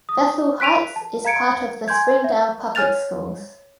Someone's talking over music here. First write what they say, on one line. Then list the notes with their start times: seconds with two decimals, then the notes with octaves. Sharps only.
Bethel Heights is part of the Springdale Public Schools.
0.09 D#6
0.60 F#6 B6 D7 D#7 F7
0.96 A5
1.25 F5 A#5 G#6 C#7 D7
1.88 G#5 C6 G6 G#6
2.24 E5
2.75 C#5 G#5 F6 F#6 A6 F7